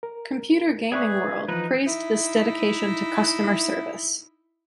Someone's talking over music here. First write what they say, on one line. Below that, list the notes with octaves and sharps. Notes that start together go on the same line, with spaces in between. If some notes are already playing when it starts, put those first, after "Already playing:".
"Computer Gaming World" praised this dedication to customer service.
A#4
G#4 B4 D5 E5 C#6
E3 F3 D#4 B4
D#4 E4